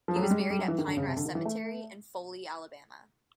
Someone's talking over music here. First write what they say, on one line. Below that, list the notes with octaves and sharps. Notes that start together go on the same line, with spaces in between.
He was buried at Pine Rest Cemetery in Foley, Alabama.
F3
F#3
G3
G#3
G3
G3
F#3
E3
D#3
D3
C#3
C3
D3
D#3
E3
A3